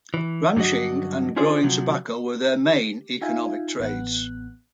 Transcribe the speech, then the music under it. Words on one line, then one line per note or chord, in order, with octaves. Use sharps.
Ranching and growing tobacco were their main economic trades.
E3
G2 D3 F#3 F#4 D#5
C#4 D#4 F4 G#4 C5 D5
C3 F3 F#3
G4
D#4 F4 E5 F5 G5 G#5
A1 B3 F#6